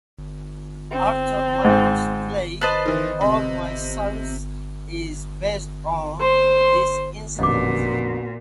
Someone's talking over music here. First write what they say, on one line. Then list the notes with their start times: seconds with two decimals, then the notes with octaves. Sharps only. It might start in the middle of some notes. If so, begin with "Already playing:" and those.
Arthur Miller's play "All My Sons" is based on this incident.
0.91 C4
1.65 G#2
2.61 B4 C5 D#5 A5 F#6 A6
2.86 D#3 E3
3.21 C3
6.20 C5 C6
7.39 A1 F2 A#2 D3 B3 F#4 D#5 D6